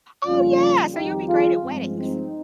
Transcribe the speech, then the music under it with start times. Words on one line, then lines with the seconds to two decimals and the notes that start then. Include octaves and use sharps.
Oh yeah, so you'll be great at weddings.
0.25 F2 C#3 G3 A#3 C#4 F4
0.94 F2 D#3 G3 C4 D#4 G4
1.28 F4 G#4
1.63 G2 F3 G#3 C4
1.97 C4 D#4